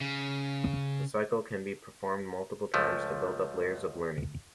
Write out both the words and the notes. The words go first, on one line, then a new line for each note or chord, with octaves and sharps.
The cycle can be performed multiple times to build up layers of learning.
C#3
C#2 F3 A3